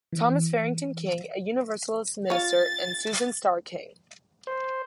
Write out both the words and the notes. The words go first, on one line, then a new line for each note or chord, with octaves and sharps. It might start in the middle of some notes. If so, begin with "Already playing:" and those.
Thomas Farrington King, a Universalist minister, and Susan Starr King.
E3
F4 C#5 A6
C5